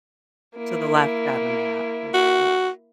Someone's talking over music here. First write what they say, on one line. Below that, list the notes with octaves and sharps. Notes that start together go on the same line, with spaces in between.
to the left on the map. It it's
A#3 E4
F#4